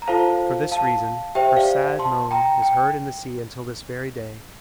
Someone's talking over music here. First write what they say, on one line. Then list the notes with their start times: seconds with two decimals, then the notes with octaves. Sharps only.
For this reason her sad moan is heard in the sea until this very day.
0.02 A#5
0.07 F4 A4 C5 F5 A5
0.71 F5 A5
1.35 G4 C5 E5 G5
1.57 D5 F5
1.99 A5 C6
2.31 G5 A#5
2.62 G5